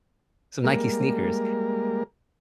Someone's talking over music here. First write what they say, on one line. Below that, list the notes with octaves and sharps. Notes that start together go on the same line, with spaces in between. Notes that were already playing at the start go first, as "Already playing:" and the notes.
Some Nike sneakers.
G3 G#3 A#3 A#4